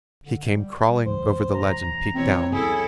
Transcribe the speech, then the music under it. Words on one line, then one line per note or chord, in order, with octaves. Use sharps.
He came crawling over the ledge and peeked down.
D3
G3
C#2 E3 F#3 C5
E1 A2 F#3 A#5
B2 E3 C4 C#5
F1 C2 C#4 E4 G#4 A4